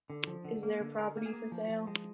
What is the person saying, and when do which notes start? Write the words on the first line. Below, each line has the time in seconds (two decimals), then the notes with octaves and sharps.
Is there a property for sale?
0.10 D3
0.27 F3
0.45 D3
0.63 A#3
0.80 D3
0.98 D3 A#4
1.17 A#3
1.26 G#4
1.33 A#3
1.52 F3
1.70 F3
1.87 G#3